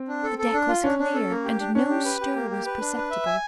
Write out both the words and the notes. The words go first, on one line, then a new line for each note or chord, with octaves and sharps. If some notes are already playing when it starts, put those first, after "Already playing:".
The deck was clear, and no stir was perceptible.
Already playing: C4
D4
A4
A4
D4
F4
C#4 D4
D4
A4
A#3
G4
D4
C#4 D4
G4
B4
G4
A#3
G4
B4
D4
B4
E5
G#5